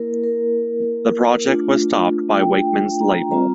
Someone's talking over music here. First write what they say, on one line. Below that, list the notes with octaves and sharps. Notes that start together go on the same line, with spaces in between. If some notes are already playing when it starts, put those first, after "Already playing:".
The project was stopped by Wakeman's label.
Already playing: A#3 E4 A#4
A#4
A3 D4 F4
G5
A#5
G3 C4 F4 A#5